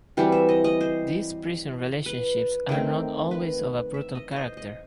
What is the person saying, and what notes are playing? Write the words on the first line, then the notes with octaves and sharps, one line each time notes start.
These prison relationships are not always of a brutal character.
E3 G3 C4 F#4
E5
D#5
D#5
C5
B4
D#3 A3 C4
B4
E5
D#5
C5 D#5
D#5